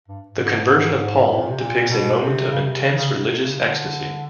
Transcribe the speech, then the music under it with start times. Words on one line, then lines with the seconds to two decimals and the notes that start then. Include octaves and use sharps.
"The Conversion of Paul" depicts a moment of intense religious ecstasy.
0.08 G2
0.29 G#2
0.99 G#2
1.29 A2
1.39 A#2
1.50 C3
1.60 A#2
1.90 B2
2.20 C3
2.51 C#3
2.66 C3
2.81 C#3
2.97 C#3
3.12 C3
3.42 C#3
3.58 D3